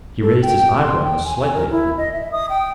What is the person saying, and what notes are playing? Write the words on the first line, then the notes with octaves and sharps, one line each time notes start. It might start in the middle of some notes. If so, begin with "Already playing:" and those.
He raised his eyebrows slightly at that.
A4
G5
C6
G5
G#5
G#5
A#4
E4
D#5
E5
D#6
G5